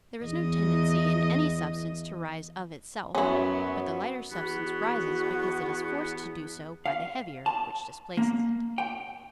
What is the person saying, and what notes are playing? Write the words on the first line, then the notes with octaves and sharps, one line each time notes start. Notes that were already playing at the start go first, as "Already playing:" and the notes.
There is no tendency in any substance to rise of itself, but the lighter substance rises because it is forced to do so by the heavier, which displaces it.
E2 D#5
F#2 F#3 B3 C#4 E4
E2 B3 F#4
F5
A5
A#3
G5